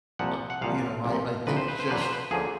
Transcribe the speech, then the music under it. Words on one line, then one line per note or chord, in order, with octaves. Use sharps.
Ah you know, I I think just
C2 A#2 F3 F#5
F#5
C2 A#2 F3 F5
C2 A#2 F3
C2 A#2 F3 B4
C5
B4
C5
D2 D3 F3 A#3 C#4 B4
C5
B4
D2 D3 F3 A#3 C#4 G#4